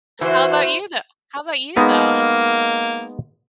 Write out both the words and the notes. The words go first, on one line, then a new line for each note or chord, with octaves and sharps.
how about you though How about you though?
E3 F#4 C5
G#3 A#3 B3 D#4